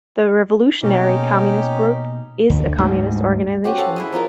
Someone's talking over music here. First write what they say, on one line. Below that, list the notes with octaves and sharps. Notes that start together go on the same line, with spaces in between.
The Revolutionary Communist Group is a communist organisation.
B2 A#3 C#4 D#4 G4 A4
D2
D2 G#2 G3
C#4 F#4 G4 C5
A4 F5 F#5
E4 G#4 D#5
F3 D#4 F4 A#4